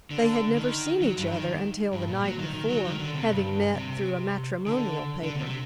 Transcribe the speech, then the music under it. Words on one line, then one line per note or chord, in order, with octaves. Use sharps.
They had never seen each other until the night before, having met through a matrimonial paper.
D3
D#3
F#3
G2
D#3
G2
A#2
F#3
D#3
D#3
F#3
D#3
D3
C3
G2
C3
D3
D3
C3
C3